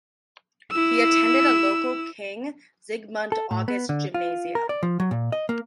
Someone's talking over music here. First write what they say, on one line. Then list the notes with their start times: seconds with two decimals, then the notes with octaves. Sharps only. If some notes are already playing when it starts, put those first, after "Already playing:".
He attended a local King Zygmunt August gymnasium.
0.71 E4 E6
3.32 A4
3.51 A2
3.68 B3
3.89 D3
4.14 F4
4.55 A#4
4.69 D5
4.83 F3
5.00 F#3
5.11 A#2
5.32 D#5
5.49 A#3